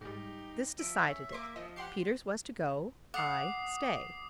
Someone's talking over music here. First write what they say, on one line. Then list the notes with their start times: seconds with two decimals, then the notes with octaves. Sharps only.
This decided it: Peters was to go, I stay.
0.01 G#2 G3 D#4 G4
0.79 F3 E5 D7
1.06 C#4
1.33 A#3 C6 D6
1.56 F3 D#5
1.76 G4 F#5 C6 C7
3.14 F#5 D6 D#6 C7